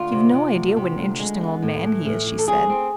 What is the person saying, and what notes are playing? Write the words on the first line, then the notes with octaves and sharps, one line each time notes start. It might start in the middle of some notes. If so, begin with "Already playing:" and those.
"You've no idea what an interesting old man he is," she said.
Already playing: D2 F4
C3
C3
D2
C3
D2
G#3
B3
A2
E3
A2
E3
A4
C4 G#4
C4